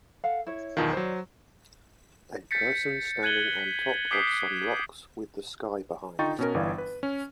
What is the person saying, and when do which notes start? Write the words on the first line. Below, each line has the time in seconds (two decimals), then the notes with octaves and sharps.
A person standing on top of some rocks with the sky behind.
0.24 A4 F5 F#5
0.47 E4 C#5
0.77 B1 E2 D#3 F4 A5
0.93 F#3 C5 D5
2.51 G6 A6 B6 C#7
3.23 F#6 G#6 D#7 F#7 G7
3.59 B6
4.11 D6 D#6 G6 B6 C7 D7
6.19 D3 D#4 F4 G5 C#6 A6
6.39 B2 C#4 A#4
6.54 G1 E3 D5 F5
6.78 B4
7.03 C#4